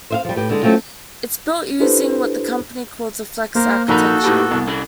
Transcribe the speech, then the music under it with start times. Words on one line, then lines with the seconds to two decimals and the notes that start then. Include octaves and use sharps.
It's built using what the company calls a "Flex architecture".
0.11 C5 E5 F5
0.25 F3 G3
0.36 A2 G4 B4
0.50 D3 G#3
0.63 F#3 A3 C4 C#4 F4
1.80 D4 E4 G4 A4 B4 C5
3.55 A#3 A#4 C5
3.88 A#1 D#4 F#4 A4 A#4 A#5 B5
4.24 A2 D#4 G4 B4 A5
4.51 C2 B3
4.67 C#4 A4